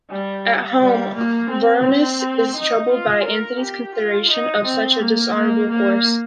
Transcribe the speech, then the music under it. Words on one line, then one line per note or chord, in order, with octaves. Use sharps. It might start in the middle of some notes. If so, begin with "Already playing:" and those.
At home, Vorenus is troubled by Antony's consideration of such a dishonorable course.
G3
G3
A#3
C4
D#4
F4
A#4
G4
F4
D#4
C4
A#3
A#3
A#3